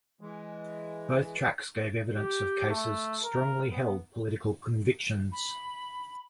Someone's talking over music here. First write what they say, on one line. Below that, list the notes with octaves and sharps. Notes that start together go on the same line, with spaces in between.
Both tracks gave evidence of Case's strongly held political convictions.
E3 G#3
G4
A3
A#4
B3
B5